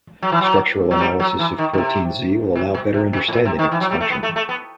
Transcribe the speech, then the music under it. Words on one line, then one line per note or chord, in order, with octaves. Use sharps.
Structural analysis of protein Z will allow better understanding of its function.
F#3
E3
F#3
F#3
G3
F#3
E3
D#3
D#3
C3
B2
B2
C3
B2
A2
B2
C3
D#3
E3
F#3
G3
A3
B3
A3
A3
B3